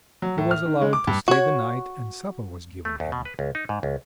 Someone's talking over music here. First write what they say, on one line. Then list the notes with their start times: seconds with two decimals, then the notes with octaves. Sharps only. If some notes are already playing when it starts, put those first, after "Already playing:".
He was allowed to stay the night, and supper was given him.
0.22 F#3
0.38 A2
0.51 F6
0.66 D#3
0.81 G#3
0.93 D6
1.07 G2
1.28 F#4 C#5
2.85 A3
3.00 D#2
3.12 B2
3.25 B4
3.39 C#2
3.55 D#4
3.69 G#2
3.83 C#2